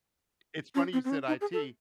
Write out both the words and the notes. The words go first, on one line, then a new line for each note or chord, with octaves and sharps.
It's funny you said IT.
C#4
C4
C4
C#4
D#4
G#4
A4